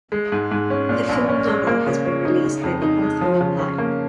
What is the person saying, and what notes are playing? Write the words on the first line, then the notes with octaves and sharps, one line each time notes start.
The full novel has been released by the author online.
G#3
G#2
G#2
C#4
A#2
A#1
C#4
G#3
A#3
C#3
C#5
D#4
C#3
F2
D#4
G#3
F3
C#3
C#4
A#3